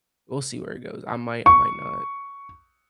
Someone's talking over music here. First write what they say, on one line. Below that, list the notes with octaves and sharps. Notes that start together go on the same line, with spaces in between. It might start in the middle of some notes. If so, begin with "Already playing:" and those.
we'll see where it goes. I might, I might not
C#6